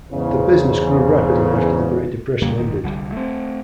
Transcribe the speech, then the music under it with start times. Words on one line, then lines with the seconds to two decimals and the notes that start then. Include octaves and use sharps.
The business grew rapidly after the Great Depression ended.
0.11 E2 G#2 C#3
2.42 F2 C#3 G3 A#3
2.55 F1 D#3
2.84 C2 D3 G3
3.12 A3 C4